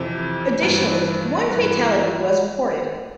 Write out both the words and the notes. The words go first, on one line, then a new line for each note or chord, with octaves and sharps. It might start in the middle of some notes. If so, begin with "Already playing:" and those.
Additionally, one fatality was reported.
Already playing: F2 C3 E3 C5
G2 E3 B4
G2 E3 B4